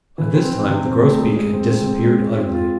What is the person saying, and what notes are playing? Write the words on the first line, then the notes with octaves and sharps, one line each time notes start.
By this time the grosbeak had disappeared utterly.
E3
C4
C4
C3
C4
A3
G#3
G#3
C4
C4
C4
G#3
F4
C4
F4